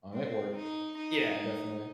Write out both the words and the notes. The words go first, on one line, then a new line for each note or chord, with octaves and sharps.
um, it worked. Yeah, definitely.
C4
D#4
D#4